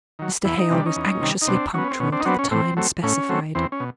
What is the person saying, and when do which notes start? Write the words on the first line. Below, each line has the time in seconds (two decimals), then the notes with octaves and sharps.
Mr. Hale was anxiously punctual to the time specified.
0.19 D#3 F#3
0.45 E2 E4
0.59 D#4
0.71 C3 D#3 G3 D4
0.86 C#4 D#4
0.96 E2
1.21 C3 D#3 G3
1.42 D#4
1.48 B2 C4 D4
1.74 F#3 B3 C#4
1.91 C4
2.00 B2 C#4
2.12 C4 D4
2.20 D#4
2.25 F#3 B3 C4 D4
2.39 C#4
2.51 A2 C4
2.77 F#3 A3 C4
3.03 A2 C#4
3.29 F#3 A3 C4
3.55 E2 C4
3.72 C#4
3.80 B2